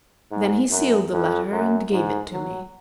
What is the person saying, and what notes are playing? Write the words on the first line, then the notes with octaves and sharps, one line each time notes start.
Then he sealed the letter and gave it to me.
G#2
F#2
F2
F#2
G#2
F#3